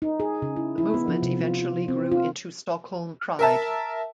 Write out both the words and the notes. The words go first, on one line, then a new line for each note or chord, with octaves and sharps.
The movement eventually grew into Stockholm Pride.
D#4
G#4
C#3
E4
E4
B3
F3
C3
F4
F4
C4
F4
A#4 E5 A5